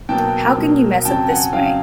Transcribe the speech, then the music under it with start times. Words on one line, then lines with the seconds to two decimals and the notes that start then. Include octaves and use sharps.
How can you mess up this way?
0.09 B2 F#3 A#3 G5 A5
0.57 B2 F#3 A#3
1.05 F2 C#3 F#3 G5 A5
1.28 F#5 G#5
1.53 F2 C#3 F#3 F5 G5